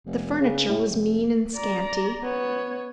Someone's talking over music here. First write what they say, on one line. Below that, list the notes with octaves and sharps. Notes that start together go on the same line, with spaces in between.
The furniture was mean and scanty.
F1
C#3
A2
F1
D5 A#5
B3 C#5